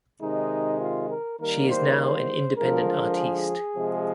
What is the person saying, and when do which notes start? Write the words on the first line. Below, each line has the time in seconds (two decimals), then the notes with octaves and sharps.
She is now an independent artiste.
0.20 C3 D#3 G#3 D#4
0.80 F4
1.10 A#4
1.38 D#3 G3 A#3 A#4
1.69 C5
1.99 C5
2.57 D3 F3 G#3 A#4
3.17 G#4
3.75 C3 F3 G#3